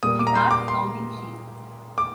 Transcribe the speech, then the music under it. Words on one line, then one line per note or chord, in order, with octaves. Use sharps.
She starts counting sheep.
A#2 G3 A#3 D#6
D6
A#5
C6
D6
C6
D6